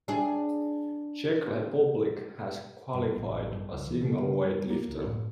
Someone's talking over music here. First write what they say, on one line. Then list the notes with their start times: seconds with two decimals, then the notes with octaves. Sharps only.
Czech Republic has qualified a single weightlifter.
0.08 D4 G#4
2.94 G2
3.16 A1
3.52 G2
3.73 C#2
3.87 E3
4.01 C#3
4.19 C#3
4.45 G3
4.70 A#3
4.88 C#2
5.06 A2